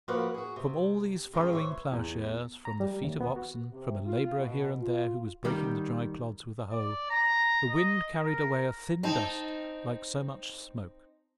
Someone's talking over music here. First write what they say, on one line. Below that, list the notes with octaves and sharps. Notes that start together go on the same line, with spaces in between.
From all these furrowing ploughshares, from the feet of oxen, from a labourer here and there who was breaking the dry clods with a hoe, the wind carried away a thin dust like so much smoke.
F3 A#3 F#4 A#4 B4 F#5
F#4 G#4
C3
F2 C#3 G#3 C4 F#4 G#4
E3 C5 C#5
E2
A#5
G3
D#2
B3
F#4
C3
F4
B2
F4
D#3 G3
D5
A#5
D#5
A#4
C4 D#4 A5